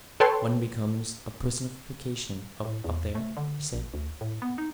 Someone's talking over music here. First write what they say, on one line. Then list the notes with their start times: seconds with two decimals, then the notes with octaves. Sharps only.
"One becomes a personification up there," he said.
0.20 A4 B4 C#5 G5 A5 C6
2.65 A2
2.84 E2
3.15 A3
3.37 D3
3.74 A#1
3.94 D2
4.21 A2
4.42 B3
4.58 D#4